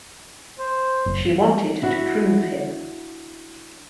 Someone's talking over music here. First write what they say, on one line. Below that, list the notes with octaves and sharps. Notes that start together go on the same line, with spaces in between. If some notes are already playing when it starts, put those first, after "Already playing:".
She wanted to prove him.
C5
F#1
D4 E4 F#4